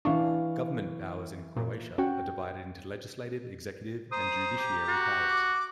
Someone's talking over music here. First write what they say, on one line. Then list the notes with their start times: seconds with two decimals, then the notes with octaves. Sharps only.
Government powers in Croatia are divided into legislative, executive and judiciary powers.
0.05 E3 D4 F5 C#6
1.57 A#2
1.98 C#4 F#4 G5
4.12 C5 A#5 D#6
4.58 G4
4.88 F#4
5.29 D6